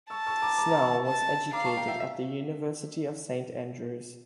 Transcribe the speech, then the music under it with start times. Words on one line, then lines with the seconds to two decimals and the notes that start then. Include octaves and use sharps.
Snell was educated at the University of St Andrews.
0.10 A5 C#6 E6
0.27 C#6 E6
0.42 A#5 D6
0.58 A#5 D6
0.70 A#5 D6
0.82 C#6 E6
0.93 C#6 E6
1.05 A5
1.53 F5 A#5 D6
1.65 A5 C#6
1.77 G5 A#5
1.88 E5 G5
2.00 E5